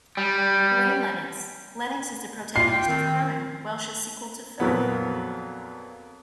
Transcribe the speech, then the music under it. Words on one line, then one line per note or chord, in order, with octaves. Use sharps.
Ray Lennox - Lennox is the protagonist of "Crime", Welsh's sequel to Filth.
G3
A#3 F4 C7
G5
D#3 C4
F2 A#2 F#3 B3